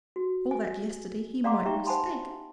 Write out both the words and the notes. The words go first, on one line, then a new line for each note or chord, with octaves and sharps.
All that yesterday, he might mistake.
F#4
G#5
D5 F5 F#5 A#5 C6 D6
D#4 G4 E5 G5 A#5 C#6
C5 F#5 G#5 A5 B5 C6